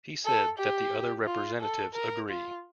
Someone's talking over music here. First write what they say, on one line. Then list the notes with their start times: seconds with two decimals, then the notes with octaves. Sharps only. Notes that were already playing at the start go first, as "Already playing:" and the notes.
He said that the other representatives agreed.
0.25 A4
0.58 G4
1.26 F4
1.61 A4
1.94 A#4
2.29 F4